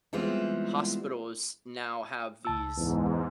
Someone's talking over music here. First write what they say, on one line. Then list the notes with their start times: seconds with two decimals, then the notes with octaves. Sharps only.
hospitals now have these,
0.13 E3 G3 G#3 B3 C4 F4
2.45 C#2 A5 E6
2.77 E2 G#2